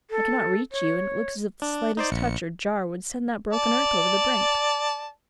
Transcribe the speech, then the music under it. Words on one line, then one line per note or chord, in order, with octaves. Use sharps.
"I cannot reach you--and it looks as if the slightest touch or jar would send that broken earth over the brink."
A4
C#5
D4
D#4 C5 D5
A#1 C#7
D5 A5